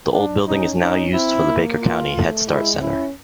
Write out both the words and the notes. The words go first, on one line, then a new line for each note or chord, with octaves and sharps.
The old building is now used for the Baker County Headstart Center.
D4
C#4 D#4
C#4 D#4
C4 E4
A#3
F4
A3
G#3 E4
C#4 E4